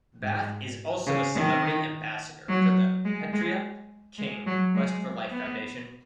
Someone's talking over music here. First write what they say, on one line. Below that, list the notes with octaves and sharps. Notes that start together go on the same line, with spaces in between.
Bath is also a Celebrity Ambassador for the Petrea King Quest for Life Foundation.
G#2
C#3
D#3
F#3
G#3
G#3
G#3
F#3
G#3
B3